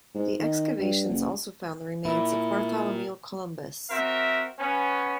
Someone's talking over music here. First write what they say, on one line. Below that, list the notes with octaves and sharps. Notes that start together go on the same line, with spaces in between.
The excavations also found the remains of Bartholomew Columbus.
G#2
D#3
G2
F#1
A#2 E4
C4 F#4 A#4 E5
B3 C#4